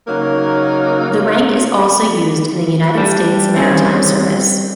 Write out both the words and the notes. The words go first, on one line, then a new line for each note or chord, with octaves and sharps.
The rank is also used in the United States Maritime Service.
C#3 F#3 A#3 D#4 A#4
G3 D4
C4 C#4 G#4